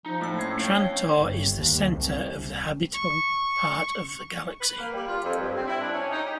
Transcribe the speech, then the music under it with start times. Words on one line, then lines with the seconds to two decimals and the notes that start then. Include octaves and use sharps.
Trantor is in the center of the habitable part of the galaxy.
0.06 F3 D#4
0.22 A2 A3 E6
0.39 A#3 C#4 G#6 C7
0.59 C#5 F5 G5
0.76 D4
1.18 G1
1.58 D#2
1.87 C2
2.95 C#6
4.60 B4
4.78 A#3
4.93 G3
5.07 F4
5.23 F2
5.38 G2
5.55 C4
5.67 E4
5.80 D4
5.92 C#4
6.11 D#4
6.25 G4